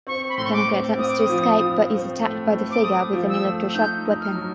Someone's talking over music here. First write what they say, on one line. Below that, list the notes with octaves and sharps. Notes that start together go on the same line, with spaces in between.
Kanako attempts to escape but is attacked by the figure with an electroshock weapon.
C4 C#6
B5
A2 C6
C#6
D6
C4
C4 D#6
D6
D#6
F3
F3
C4
A3
C4
D6
A3 D#6
F3
E6
A3
D#4 G6
D#4
F6
F#3